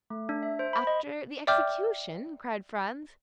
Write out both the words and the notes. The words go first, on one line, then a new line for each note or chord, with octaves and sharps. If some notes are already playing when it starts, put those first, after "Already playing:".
"After the execution?" cried Franz.
A3
D4
E5
C5
B5
D#5
D5 E5 G5 D6 F6 G6